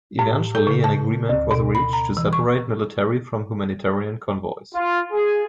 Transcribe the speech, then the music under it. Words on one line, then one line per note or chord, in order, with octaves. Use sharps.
Eventually an agreement was reached to separate military from humanitarian convoys.
A2
A4
C#3
A5
D2
B2
B5
A#5
E3
C#6
F4
G#4